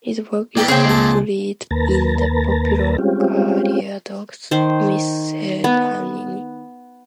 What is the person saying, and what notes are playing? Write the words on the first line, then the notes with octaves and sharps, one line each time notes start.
His work is compiled in the popular "Cariadoc's Miscellany".
A#3 E4 B4 D5 G5
C#3 A#3 C4 G#4 C5 G5
C#2 A5
D#2 A#3 B4 A5 A#5
G3 G#3 C4 C#4 F4 G4
D#3 C5
B3